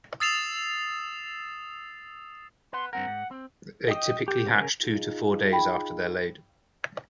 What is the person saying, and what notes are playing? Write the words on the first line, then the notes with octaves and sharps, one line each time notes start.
They typically hatch two to four days after they are laid.
D#6 E6 A6 C7 E7 F7
B4 F#5 C6
G2 C4 A#4 F#5
G#2
C4
D#5 G5 D#6
G4
C#3 A#4 G#5
D#4 F4 G#4
G5 B5